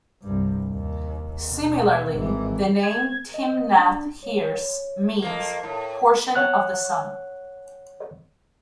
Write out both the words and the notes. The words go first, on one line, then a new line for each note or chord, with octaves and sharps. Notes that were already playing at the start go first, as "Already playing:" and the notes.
Similarly, the name "Timnath-heres" means "portion of the sun".
C2 G2
D#2
B2
G#1 E3
G#6
D#5
D4
C#5
F2 A#3
A2
C#5 F#5 F#6